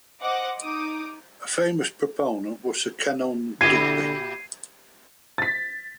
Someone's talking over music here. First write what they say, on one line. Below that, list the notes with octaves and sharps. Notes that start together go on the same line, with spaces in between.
A famous proponent was Sir Kenelm Digby.
C5 D#5 F#5 D6
D#4 D6 D#6
A#2 D3 E4 G4 G#6 C7 D#7
A6 B6